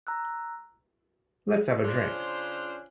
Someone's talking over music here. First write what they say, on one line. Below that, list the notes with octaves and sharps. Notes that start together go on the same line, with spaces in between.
Let’s have a drink.
A#5 E6 F#6
C#3 C#4 D4 F4 C5